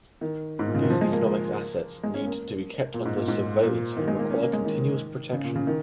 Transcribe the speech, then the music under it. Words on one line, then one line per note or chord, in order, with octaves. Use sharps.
These economic assets need to be kept under surveillance and require continuous protection.
D#3
G#2
A#2
C#3
D#3
F3
G#3
A#3
G#3
C#4
A#3
A#2
G#2
A#2
G#2
A#2
D#3
G#3
A#3
C#4
A#3
G#3
D#3
C#3
A#2
C#3
D#3